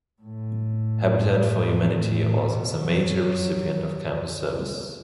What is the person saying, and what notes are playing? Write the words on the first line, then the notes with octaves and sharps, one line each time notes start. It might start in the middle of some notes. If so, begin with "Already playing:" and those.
Habitat for Humanity also is a major recipient of campus service.
A2
A2
B2
F#3